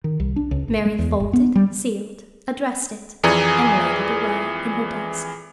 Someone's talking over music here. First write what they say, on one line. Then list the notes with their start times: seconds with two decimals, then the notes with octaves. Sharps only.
Mary folded, sealed, addressed it, and laid it away in her desk.
0.04 D#3
0.20 C2
0.36 D4
0.51 C#2
0.68 G#1
0.85 G#3
0.99 E2
1.20 G#1
1.33 B3
1.55 G3
3.24 F2 E3 G#4 D5 G#5 A#5